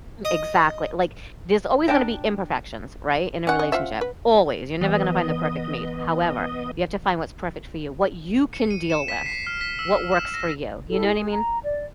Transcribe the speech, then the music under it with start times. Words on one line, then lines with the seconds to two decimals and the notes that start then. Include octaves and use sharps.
Exactly, like, there's always gonna be imperfections, right, in a relationship, always, you're never gonna find the perfect mate, however, you have to find what's perfect for you, what you can deal with, what works for you, you know what I mean? W
0.25 D#5 D#6
1.88 D4 G5 A5 A#5
3.47 C#4 F#5
3.59 D#5
3.72 F4 C5 E5
4.01 B4
4.81 E3 B3 D#5
8.53 C#7
8.71 D#7
8.90 E7
9.08 B6
9.26 C7
9.47 F6
9.61 B6
9.79 E6
10.12 E7
10.34 A#6
10.89 E4 G4 A4
11.07 G#4
11.29 A#5
11.64 D5